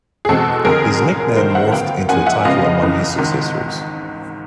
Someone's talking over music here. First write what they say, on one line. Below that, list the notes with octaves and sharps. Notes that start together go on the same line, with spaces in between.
His nickname morphed into a title among his successors.
G#4
E2 B2 G#3 C4 A4
F2 D3 F#3 G#4 A#4
D2 D3 F#3
A1 G2 D#3 F#3 A3 A#4 C5
E5 F#5
D2 D3 F#3 B3 F5 G5
G#2 F3 A#3 C#4 F#5 G#5
E5 F#5
F2 C#3 F3 G#3 B3 D#5 F5
C#2 C#3 E3
G#1 G#2 D#3